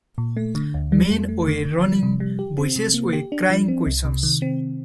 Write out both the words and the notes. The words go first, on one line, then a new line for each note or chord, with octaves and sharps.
Men were running, voices were crying questions.
A#2
A3
D3
D2
G3
F2
A3
D3
D3
F3
C3
G3
G4
C4
C3
A#3
G4
D4
F3
C4
C2
C3
D#3
C4